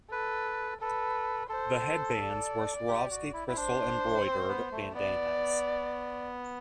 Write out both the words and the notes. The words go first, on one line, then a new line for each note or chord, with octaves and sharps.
The headbands were Swarovski crystal-embroidered bandanas.
A4 B4
A4 B4
A4 C5
D5
G4
F#4
E4
E4
D4 C5
C4
B3
A3
B3 D5